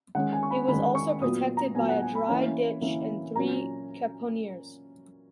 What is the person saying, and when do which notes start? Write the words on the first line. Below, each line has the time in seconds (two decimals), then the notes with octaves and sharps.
It was also protected by a dry ditch and three caponiers.
0.15 D#3 G#3 C#4 F#5
0.33 G#5
0.43 C#6
0.51 B5
0.68 D#3 G#3 C#4 B5
0.95 C#6
1.21 A#2 F#3 B3 D#6
1.57 A#5
1.75 A#2 F#3 B3 G#5
1.89 F#5
2.02 G#5
2.15 B5
2.28 E3 A#3 C#4
2.81 E3 A#3 C#4
3.35 A#2 F#3 C#4 A#5